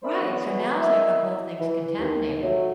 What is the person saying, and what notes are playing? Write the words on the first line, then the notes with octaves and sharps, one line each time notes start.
Right. So now it's like the whole thing's contaminated.
D4 A#4 C5 D5 E5 B5
E3 F#3 B3
E4 A#4 D#5 E5
E3
D#2
F#3 A3